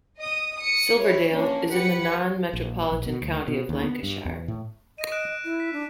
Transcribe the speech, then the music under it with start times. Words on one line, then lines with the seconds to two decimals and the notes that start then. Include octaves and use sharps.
Silverdale is in the non-metropolitan county of Lancashire.
0.18 D#5 D#6
0.56 D#6 C#7
1.00 E4 C#5
1.33 A#3 C#4 D4
1.72 G4 B4 F#5 C#7
2.53 A#1
2.92 A#1
3.06 B2
3.22 D2
3.48 B2
3.69 D#2
3.84 B3
4.03 G2
4.25 E2
4.48 A2
4.98 D#5 A#6 D#7
5.12 F#6 D7 E7
5.45 E4
5.60 B6
5.73 D4